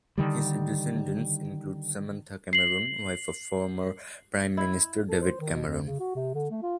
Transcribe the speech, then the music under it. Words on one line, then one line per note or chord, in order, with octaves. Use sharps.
His descendants include Samantha Cameron, wife of former Prime Minister David Cameron.
D3 D#3 G3
C7 F#7
E4
A4
C5
D#3
B2
F2
C#3
F#4
C3
D3
A3
F4